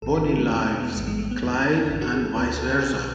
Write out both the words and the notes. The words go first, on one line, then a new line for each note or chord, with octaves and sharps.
Bonnie loves Clyde and vice versa.
A1 G#2 E3 A4
E4
E4
A3
E2 B2 A3
A3
G#3
B3
A3
A1 G#2 E3 G#3
G#3
A3
B3
E2 D3 E4
D4
G#1 G#2 E3 E4
F#4
G#4
A4
D2 D3 B4
A4
A4
B1 B2 G#4
B4